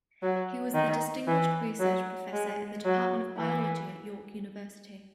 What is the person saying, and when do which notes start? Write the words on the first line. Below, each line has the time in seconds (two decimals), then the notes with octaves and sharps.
He was the Distinguished Research Professor in the Department of Biology at York University.
0.23 F#3
0.74 D#3
1.27 E3
1.80 F#3
2.32 G#3
2.85 F#3
3.37 E3